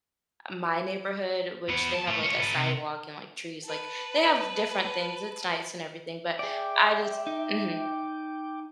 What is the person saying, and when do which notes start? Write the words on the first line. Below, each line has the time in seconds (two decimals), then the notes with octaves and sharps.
my neighborhood, which they have, like, a sidewalk and, like, trees. Like, they have different things. It's nice and everything, but I just mhm.
1.69 E2 B3
1.94 A5
2.07 A2 A3
2.24 F4 C#5
2.40 A4 B4
2.55 C3
3.64 B4 A5
6.39 G#4 D5 E5 G5 D6
7.27 D#4